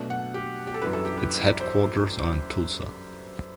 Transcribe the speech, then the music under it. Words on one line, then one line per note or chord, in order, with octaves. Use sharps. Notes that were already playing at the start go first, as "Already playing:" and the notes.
Its headquarters are in Tulsa.
Already playing: B2 F#3 A3 D4
F#5
G4
G4
A4
F#2 E3 G3 D4 B4
A4
G4
B4
D5
C5